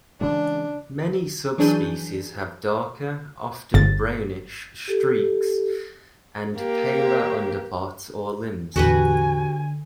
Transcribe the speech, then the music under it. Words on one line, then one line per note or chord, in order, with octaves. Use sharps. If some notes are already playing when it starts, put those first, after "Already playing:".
Many subspecies have darker, often brownish, streaks, and paler underparts or limbs.
C#3 E3 G#3 D4
E3 F#3 D4 G#4 G6 D#7
G1 A6
G4 A4
A#3 G4
E2 A2 D3 F#4 G4 B4 G#5